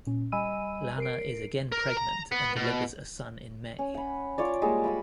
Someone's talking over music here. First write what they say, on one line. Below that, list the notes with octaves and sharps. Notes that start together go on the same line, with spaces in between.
Lana is again pregnant and delivers a son in May.
A#2 C#4
G3 D#5 G#5 B5 E6 D#7
A#4 C7 D7
A#4
A#5
B3
B2
C#4
F#5 B5
F4 C#5 D5
G3 G#3 A#3
B5 D#6 E6